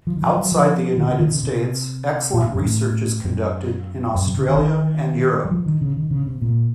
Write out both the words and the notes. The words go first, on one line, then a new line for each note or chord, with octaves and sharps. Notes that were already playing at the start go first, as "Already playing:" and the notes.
Outside the United States, excellent research is conducted in Australia and Europe.
F3
D#3
F3
F#3
F3
D#3
C#3
D#3
C#3
C3
A#2
A2
F#2
A2
F#2
F#2
C3
C#3
D#3
F#3
F3
D#3
C#3
D#3
C#3
C3
A#2